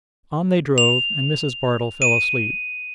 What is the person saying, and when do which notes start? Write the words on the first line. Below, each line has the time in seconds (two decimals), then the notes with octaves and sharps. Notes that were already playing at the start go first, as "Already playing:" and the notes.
On they drove, and Mrs. Bardell fell asleep.
0.78 F7
2.02 D#7